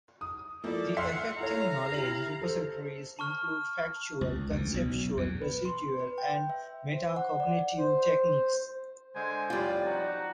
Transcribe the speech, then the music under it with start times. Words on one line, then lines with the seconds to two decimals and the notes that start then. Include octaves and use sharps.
The effective knowledge repositories include factual, conceptual, procedural and meta-cognitive techniques.
0.21 D#6
0.64 F3 A#3 E4 A4 D5
0.97 E5 F#5 C6 F6 B6 C7
1.39 E4 A4 C#5 F5 A#5
1.94 E4 G4 F#7
2.42 A4 C5
3.19 A5 C#6 F6
4.21 C#2
4.50 D2
4.74 B1
5.17 E2
5.42 B4
5.65 C6
6.00 B4
6.18 G5
6.50 E5
6.92 C5
7.16 F#5
7.40 D5
7.78 C5
9.15 D3 G#3 C5 G#5
9.50 F2 A2 G3 F4 D5
9.86 F3 D#4 F#4